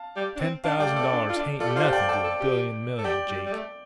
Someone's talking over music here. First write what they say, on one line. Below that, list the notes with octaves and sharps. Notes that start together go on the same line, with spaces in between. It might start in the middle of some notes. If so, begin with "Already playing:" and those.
"Ten thousand dollars hain't nothin' to a billion million, Jake."
Already playing: F5 A5
G3
D4
C4
D4 F5 A5
G3 D5 G5
A3
C4 A4 D5
D4
F4
D4
F4 A4 D5
G4
F4 C5 F5
G4
D5 G5
A4 D5 G5
A4
G4
A4
G4 D5 G5
G3
G3
A3